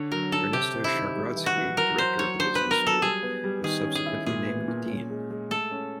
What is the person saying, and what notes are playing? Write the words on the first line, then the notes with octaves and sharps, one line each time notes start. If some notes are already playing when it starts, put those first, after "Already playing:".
Ernesto Schargrodsky, director of the business school, was subsequently named dean.
Already playing: D3 C#5
F#3 A#4
D3 A4
C3 G4
C4
E4
D#3
G3
E3
F#4
E3
F#3 A#4
F#3 C5
F#3 C#5
D4 C5
B3 B4
A#4
F#3
A4
G3 G#4
B3
G3
D#3 G#4
C#4
G#4
E4
A#2 G#4
B3
A#2
C#4
G#3
G#3
A3 A4
C#4